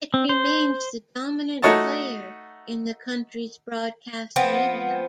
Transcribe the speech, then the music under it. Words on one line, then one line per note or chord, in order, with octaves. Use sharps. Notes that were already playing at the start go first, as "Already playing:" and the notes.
It remains the dominant player in the country's broadcast media.
C4
C5
A3 D#4 F#4 C#5 D#5 A5
F3 B3 C4